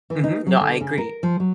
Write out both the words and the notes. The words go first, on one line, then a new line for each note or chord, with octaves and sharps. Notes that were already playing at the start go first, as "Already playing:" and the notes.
Mhm. No, I agree.
E3
D#4
F#3
D3
C#3
A#4
F3
F#3